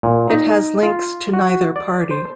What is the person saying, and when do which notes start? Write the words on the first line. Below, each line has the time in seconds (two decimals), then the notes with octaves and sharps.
It has links to neither party.
0.03 A#2
0.30 D#4
0.83 F4
1.33 F#4
1.76 D5
2.11 C5